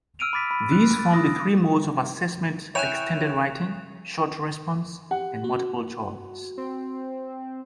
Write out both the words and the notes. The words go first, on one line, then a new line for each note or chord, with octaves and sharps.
These form the three modes of assessment-extended writing, short-response and multiple-choice.
E6 F6 D7 D#7 F7
B5 D6 A6 B6
B5
F#6
A6
D#6 A#6
E4 C#5 G5 G#5 F#6 E7 F7
G4 F#5
F#4
C4